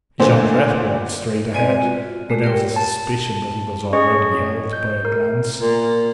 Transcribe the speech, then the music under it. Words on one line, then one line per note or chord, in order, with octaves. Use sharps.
Jondrette walked straight ahead, without a suspicion that he was already held by a glance.
F#1 A#2 D3 A3 C5
G#3 C4 B4 D5 G#5
F4 F#4
G#3 A3
G4 A#4 C#5 G5
A5
C#4 G#4 C#5 D#5 C#6
G6
A#4
A#2